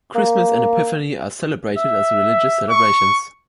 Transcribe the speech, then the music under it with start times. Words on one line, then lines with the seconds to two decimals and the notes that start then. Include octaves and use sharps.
Christmas and Epiphany are celebrated as religious celebrations.
0.15 A#3
1.77 E5
2.70 C#6